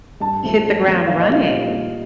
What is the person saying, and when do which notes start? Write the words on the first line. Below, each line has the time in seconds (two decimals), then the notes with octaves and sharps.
hit the ground running.
0.20 G2 A5
0.43 F3 A3
0.65 G2
0.87 F3 A3
1.07 A#2 F5
1.20 D#5
1.29 G3 F5
1.51 A#2
1.72 G3